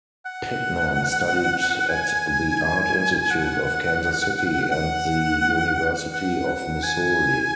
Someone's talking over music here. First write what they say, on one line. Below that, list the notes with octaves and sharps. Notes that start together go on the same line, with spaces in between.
Pitman studied at the Art Institute of Kansas City and the University of Missouri.
F#5
G#5
F#5
F#5
F#5
F#5
G#5